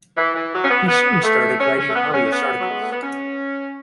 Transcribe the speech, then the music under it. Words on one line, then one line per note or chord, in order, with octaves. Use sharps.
He soon started writing hobbyist articles.
E3
E3
F#3
C#4
B3
B3
A3
C#4
C#4
A3
B3
C#4
A3
B3
F#3
G#3
A3
B3
C#4